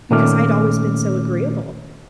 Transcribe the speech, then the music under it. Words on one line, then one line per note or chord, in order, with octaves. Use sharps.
because I'd always been so agreeable.
A#2 D#3 A3 C#4 D6 F6